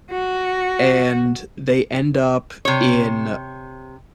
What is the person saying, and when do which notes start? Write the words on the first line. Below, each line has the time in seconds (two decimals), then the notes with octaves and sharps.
and they end up in
0.11 F#4
2.65 C3 C#5